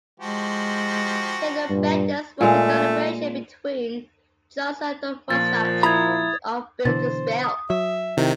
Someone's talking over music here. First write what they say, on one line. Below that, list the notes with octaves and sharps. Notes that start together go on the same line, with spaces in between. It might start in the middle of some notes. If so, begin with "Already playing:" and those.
Halo Benders was a collaboration between Johnson and Doug Martsch of Built To Spill.
F3 G#3 F#4 G4
G2 A#2
A#2 G#3 A3 F5
A#2 F3 A6
E4 A#5 B5 D#6 G#6
B2 D3 E3 C5 A6
D#6
F#3 E5
C3 D#3 E4